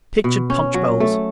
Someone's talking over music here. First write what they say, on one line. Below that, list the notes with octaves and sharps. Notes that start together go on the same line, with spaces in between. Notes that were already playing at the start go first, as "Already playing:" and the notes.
Pictured punch-bowls.
B2
C#4
F#3
A3